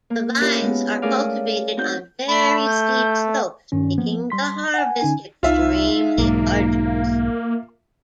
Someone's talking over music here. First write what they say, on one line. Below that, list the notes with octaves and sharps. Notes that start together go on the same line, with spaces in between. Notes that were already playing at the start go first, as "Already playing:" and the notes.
The vines are cultivated on very steep slopes making the harvest extremely arduous.
A#3
C#4 D4 E4 F4 G4 A#4
G#3 B3
A3 C#4 G#4 A#4 D5 F5
C4 D#4 F#4 F#5 G6
A3 B5
G6
G2 D#3 C#4
F3 A#3 B3
G3 C6 B6
F#5 G#5
D3 C#4 D#4 G#5
C2 D#4 F4 E5
B1 G#2 A#3